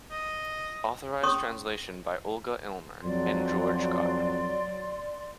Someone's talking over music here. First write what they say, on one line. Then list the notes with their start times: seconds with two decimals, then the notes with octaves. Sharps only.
Authorized translation by Olga Illmer and George Godwin.
0.11 D#5
1.23 C#4 C#5 C6 C#6 D#6
3.03 F2 F#3 D5 C6